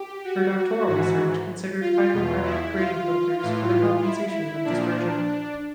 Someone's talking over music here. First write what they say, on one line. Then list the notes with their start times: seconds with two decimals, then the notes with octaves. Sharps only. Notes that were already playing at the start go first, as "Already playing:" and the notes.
Her doctoral research considered Fiber Bragg grating filters for the compensation of dispersion.
Already playing: G4
0.24 F#4
0.87 G#2 E3 F#4
1.81 F4
2.13 E2 B2
2.44 E4
2.76 F4
3.39 A2 E3 F4
4.02 E4
4.65 A#2 F3 D4